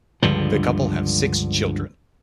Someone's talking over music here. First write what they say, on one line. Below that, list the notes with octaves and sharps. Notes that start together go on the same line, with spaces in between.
The couple have six children.
C#2 G2 D3 F3